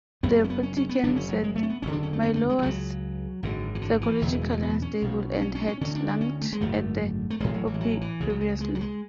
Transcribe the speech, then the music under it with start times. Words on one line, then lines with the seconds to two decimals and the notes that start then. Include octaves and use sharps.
The Vatican said Maiolo was "psychologically unstable" and had lunged at the Pope previously.
0.23 F#1 F#2 C#3 B3
0.44 C#4
0.50 B3
0.63 C#4
0.77 C#4
0.89 B3
1.03 F#1 F#2 D3 D4
1.16 C#4
1.29 F#3
1.43 G#3
1.56 A3
1.63 C#4
1.69 B3
1.82 F#1 E2 D3 C#4
1.92 D4
2.03 C#4
2.13 A3
2.23 B3
2.36 A3
2.49 G#3
2.59 E3
2.62 C#2 C#3 F#3
3.43 G#1 F#2 D3
3.75 E3
3.81 D3
4.01 E3
4.21 F#1 E2 B2 D3
4.32 E3
4.41 G#3
4.52 A3
4.62 B3
4.82 C#4
5.02 B1 B2
5.41 C#4
5.55 C#4
5.68 C#4
5.81 D2 D3 C#4
5.95 D4
6.07 D4
6.21 C#4
6.41 A3
6.53 G#3
6.61 G#1 F#2 D3 A3
7.30 A3
7.40 A1 A2 G#3
7.54 F#3
7.67 E3
7.74 G#3
7.81 F#3
8.01 E3
8.20 C#2 C#3
8.30 F#3
8.41 G#3
8.60 G#3
8.75 F#3
8.81 G#3